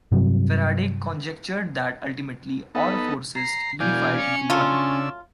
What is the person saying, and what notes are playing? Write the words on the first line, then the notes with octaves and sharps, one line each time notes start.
Faraday conjectured that ultimately, all forces unified into one.
G2 C3 F#3 G3
B3 D#4 A4 B5
A#5 C7
B2 E3 D5 F5 G#5 G6
C#4 C#7
C#3 F#3 A3 D4 F4 C#6 E6